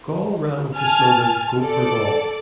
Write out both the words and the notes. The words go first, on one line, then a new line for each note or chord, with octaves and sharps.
Gaul ran with the slogan Go For Gaul!
G#5 A5 F6
A4 D5